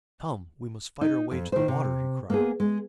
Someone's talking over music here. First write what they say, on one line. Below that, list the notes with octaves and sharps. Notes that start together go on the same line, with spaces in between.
"Come, we must fight our way to the water!" he cried.
D#4
F2
D#3 C5
C3
A#3 B3 G#4
G#3